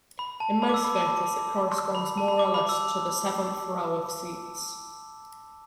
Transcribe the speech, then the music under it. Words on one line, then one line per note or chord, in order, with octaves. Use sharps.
In most theaters it corresponds more or less to the seventh row of seats.
B5
A5
B5
D6
E6
B5
A5
B5
B5
B5
A5
B5
D6
B5
E6